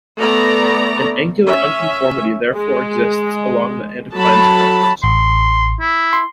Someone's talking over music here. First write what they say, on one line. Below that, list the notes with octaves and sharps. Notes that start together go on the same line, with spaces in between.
An angular unconformity therefore exists along the anticline's crest.
A3 B3 D5 A#5
C#4 E5
G#3
F#3 A4 A5 B5
A1 C6
E4
C6